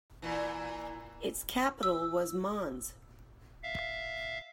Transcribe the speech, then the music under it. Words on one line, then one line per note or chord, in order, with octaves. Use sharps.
Its capital was Mons.
A#2 E3 E4 A#5
E6
E5 F5